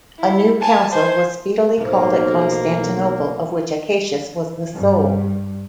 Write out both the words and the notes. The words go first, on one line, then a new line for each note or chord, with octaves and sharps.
A new council was speedily called at Constantinople, of which Acacius was the soul.
E4
G#5 A5
C5 G#5
B1 A2 F3 A#3
G2